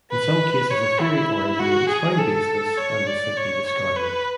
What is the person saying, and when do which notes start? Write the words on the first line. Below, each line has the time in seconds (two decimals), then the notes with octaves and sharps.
In some cases a theory or idea is found baseless and is simply discarded.
0.11 B4
0.71 C#5
1.00 E4
1.59 F#4
1.89 G#4
2.18 A4
2.78 C#5
3.07 D5
3.37 C#5
3.66 C#5
3.96 B4